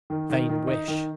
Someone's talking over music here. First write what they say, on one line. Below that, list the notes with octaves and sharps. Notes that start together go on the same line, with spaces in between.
Vain wish!
D#3
D#3
D#3
D#4
D#3